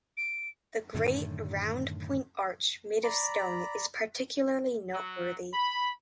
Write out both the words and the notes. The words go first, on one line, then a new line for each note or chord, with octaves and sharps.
The great round-point arch, made of stone, is particularly noteworthy.
D7
F#2 A2 D3 D#3
D5 A#5 B5
F#3
B5